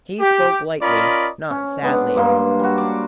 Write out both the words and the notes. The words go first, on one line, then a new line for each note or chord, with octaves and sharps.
He spoke lightly, not sadly.
G4
C#4 F4 A#4 D5 D#5 B5
C#4
G#3 B3 D4
G2 A#3 C6
G3 F#4
D4 D5